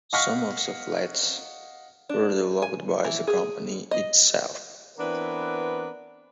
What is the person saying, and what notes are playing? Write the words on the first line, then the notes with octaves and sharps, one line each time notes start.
Some of the flats were developed by the Company itself.
D#5 F5 F#5 C#6 F6 B6
D4
G#5
E3
G#4
D#5
E3 B3 C4 D4 A#4 B4